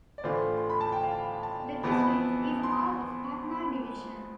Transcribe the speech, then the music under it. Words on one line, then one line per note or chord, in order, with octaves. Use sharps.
The district is a part of Patna Division.
D5
A2 E3 A3 D4 F4 C5
C6
B5
A5
G5
F5
A5
F2 E3 B3 E4 B5
A5
B5
C6